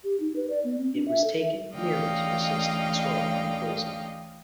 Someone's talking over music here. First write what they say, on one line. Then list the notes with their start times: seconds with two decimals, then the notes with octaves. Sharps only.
It was taken merely to assist in swallowing the poison.
0.04 G4
0.20 D#4
0.36 B4
0.50 D5
0.64 B3
0.79 C4
0.94 D4
1.08 E5
1.24 A4
1.38 E5
1.72 D2 E3 C#4 D#5 F5 G5